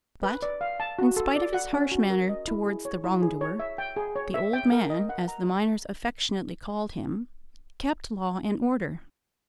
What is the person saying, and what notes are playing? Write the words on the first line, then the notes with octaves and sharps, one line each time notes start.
But, in spite of his harsh manner towards the wrong-doer, 'the old man,' as the miners affectionately called him, kept law and order.
B4
D5
F5
A5
F#4
A4
D5
F#5
C#4
F#4
A#4
D#5
E4
G#4
C#5
E4
G#4
C#5
E5
G5
G#4
C#5
E5
G5
A#4
D#5
F#5
A#5